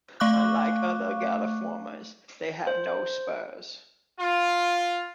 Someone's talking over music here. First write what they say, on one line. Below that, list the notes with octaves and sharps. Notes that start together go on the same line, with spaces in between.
Unlike other Galliformes, they have no spurs.
A3 F5 C#6 D6 F#6
C5
F4